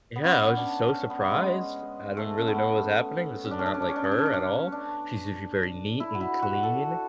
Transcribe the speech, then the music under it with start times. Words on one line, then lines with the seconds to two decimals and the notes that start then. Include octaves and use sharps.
yeah, I was just so surprised. I didn't really know what was happening. This is not like her at all. She's usually very neat and clean,
0.16 B3
0.24 C#4
0.57 D4
0.88 C#4
1.10 B3
1.31 G#3
2.17 A3
2.38 C#4
2.48 B3
3.44 C#4
3.51 D4
3.59 C#4
3.66 D4
3.74 C#4
3.82 D4
3.89 C#4
3.96 D4
4.04 C#4
4.11 D4
4.19 C#4
4.26 D4
4.34 C#4
4.72 D4
6.00 E4
6.15 F#4
6.21 E4
6.42 F#4
6.63 A4